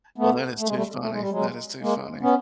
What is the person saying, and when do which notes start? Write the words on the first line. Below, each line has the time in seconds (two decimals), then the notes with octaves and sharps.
Well, that is too funny, that is too funny.
0.18 A3 B3
0.59 A3
0.67 G#3
0.75 G3 A3
1.00 A3
1.10 G#3
1.20 G3
1.30 F#3 G#3
1.81 G#3 A#3
2.22 B3 C#4